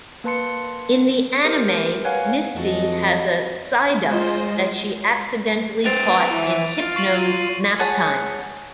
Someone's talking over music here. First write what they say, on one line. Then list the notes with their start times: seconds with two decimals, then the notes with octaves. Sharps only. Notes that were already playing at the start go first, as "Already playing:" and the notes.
In the anime, Misty has a Psyduck that she accidentally caught in "Hypno's Naptime".
0.24 A#3 B4 A5 C6 C#7
1.44 G4 A#4 C5
2.04 B4 C#5 F5 F#5 G#5
2.56 F2 F#3 G#3 A4 D#5
4.08 G#3 F4 C5 D#5
5.85 B3 C5 A6 D7 F7
6.31 E3
6.79 F4
6.96 C#6 C7 F#7
7.19 D#7
7.79 G#4 C#5 F#5 A5